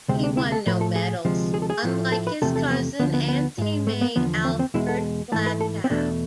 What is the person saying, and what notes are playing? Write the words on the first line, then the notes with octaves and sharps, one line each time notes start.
He won no medals, unlike his cousin and teammate Alfred Flatow.
D2 C3 G#3 C4
D4
E4
A4
A2 F3 A3 B4
A4
G#4
D2 C3 F3 G#3
G#4
A4
G#4
A2 F3 A3
A4
B4
E2 C3 F3 A3 A4
A4
B3
D2 D3 F3 B3
B3
B3
G#2 G#3
A3
B3
E2 D3 F3 B3
C4
C4
E2 B2 G#3 E4
A4
G#2 E3 A3 A4
B4
A4
C4
E2 B2 A3 D4